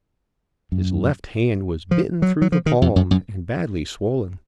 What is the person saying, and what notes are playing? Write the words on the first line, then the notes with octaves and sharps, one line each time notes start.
His left hand was bitten through the palm, and badly swollen.
F#2
F3
F#3
F#3
F3
D#3
F2
F#2
F#2